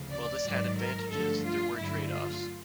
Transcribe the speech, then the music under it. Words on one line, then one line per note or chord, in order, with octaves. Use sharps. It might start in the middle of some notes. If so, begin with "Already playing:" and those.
While this had advantages, there were trade offs.
Already playing: D2 C#3 F3
D5
G#2 D#3 F#3
A#4
G2 D3 F3 A3 A4
F4
G2 D3 F#3 A3 E4
F4